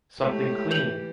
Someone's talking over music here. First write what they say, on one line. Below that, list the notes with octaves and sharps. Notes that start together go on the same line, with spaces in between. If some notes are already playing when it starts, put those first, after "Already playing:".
Something clean!
A2 G#3 A3 G4
E3 G6 F7 F#7